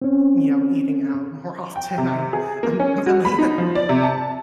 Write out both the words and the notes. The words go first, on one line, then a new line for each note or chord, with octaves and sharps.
n you know, eating out more often. I I'm definitely
C4 C#4
G5
C3
G#4
A#3
C#4
F#4
B5
D#4
F3
D5
C3
A5